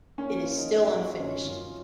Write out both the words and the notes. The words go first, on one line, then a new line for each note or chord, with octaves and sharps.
It is still unfinished.
A#3 C#4
F3
D#4
A#3
F#4
F3 F4
F#2 C#4
F#2 F4